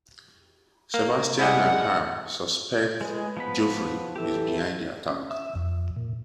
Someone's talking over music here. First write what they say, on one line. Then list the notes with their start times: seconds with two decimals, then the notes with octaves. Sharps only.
Sebastian and Ham suspect Geoffrey is behind the attack.
0.94 A#3
1.39 G3 G#3 E4 F#5
3.01 G#3 G#4 B4
3.37 F3 B3 B5
4.16 A2 E3 G4 A4 E5
5.09 C#4
5.30 E5
5.55 F2
5.96 A#2